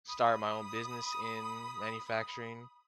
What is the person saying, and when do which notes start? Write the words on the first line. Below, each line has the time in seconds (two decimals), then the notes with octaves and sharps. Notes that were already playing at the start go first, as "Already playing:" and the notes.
start my own business in manufacturing,
0.07 B5 D#6